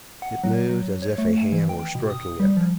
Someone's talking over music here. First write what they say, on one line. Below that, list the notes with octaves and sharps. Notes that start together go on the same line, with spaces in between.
It moved as if a hand were stroking it.
F#5
F#3
F#3
C#5
A3
E3
G5
B2
D#6
G3
F3